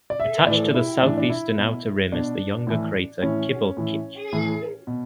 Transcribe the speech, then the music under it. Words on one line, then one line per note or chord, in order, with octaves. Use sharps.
Attached to the southeastern outer rim is the younger crater Kibal'chich.
D5
E5
A2 E3 D5
E4
A2 E3 D4
D4
E4
B2
B2 D4
A2 E3
A2 E3 C#4
A2 E3
A2 E3
B2